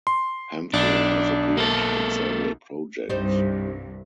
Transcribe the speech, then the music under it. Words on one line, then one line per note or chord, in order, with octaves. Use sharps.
Hemphill has appeared in several projects.
C6
B1 D4
A#3 A4
C2 G2 G3 D#4 C5